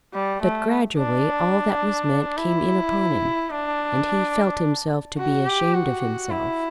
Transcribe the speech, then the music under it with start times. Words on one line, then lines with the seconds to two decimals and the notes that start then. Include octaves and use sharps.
But gradually all that was meant came in upon him, and he felt himself to be ashamed of himself.
0.14 G3
0.42 A3
0.98 D4
2.38 E4
3.50 D4
5.18 F#4
5.46 G4
5.74 F#4
6.30 E4